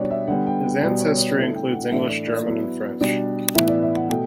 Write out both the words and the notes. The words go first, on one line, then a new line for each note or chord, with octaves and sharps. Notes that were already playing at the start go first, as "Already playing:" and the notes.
His ancestry includes English, German, and French.
Already playing: B2 G3 D4 C#5 D5
E5
D3 G3 B3 F#5
G5
B2 G3 B3 D5
C#5
D5
D3 A3 E4 E5
G5
F#5
A2 E3 A3 D4 E5
D5
D5
F#3 B3 E4
B2 G3 D4
A2 E3 B3 E4 E5
D5
E5
F#5
B2 A3 G5